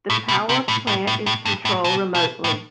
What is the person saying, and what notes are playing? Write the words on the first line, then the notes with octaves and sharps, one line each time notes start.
The power plant is controlled remotely.
A2
B2
C3
A2
A2
A2
A2
G2
A2
B2
B2
A2